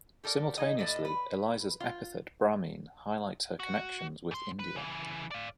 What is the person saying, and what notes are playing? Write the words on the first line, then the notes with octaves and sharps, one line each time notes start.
Simultaneously, Eliza's epithet Bramine highlights her connections with India.
G4 A4 A#4 D5
D#4 G#4 D#5
A2 A4 D5 D#5
B4
F4
F#4
G#2 C6
B4
C#3 E3
D5 F5